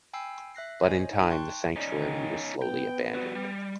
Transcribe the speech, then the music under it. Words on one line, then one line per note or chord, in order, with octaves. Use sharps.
But with time, the sanctuary was slowly abandoned.
G5 G#5 B5 E6 C7
E5 F#6 A#6 C7
C5 C#5 D#5 G#5
D#4
G5 A5 C6 C#6 F#6
C#4 D#4 D5
D#3
B3 G5
G3 F#4
G3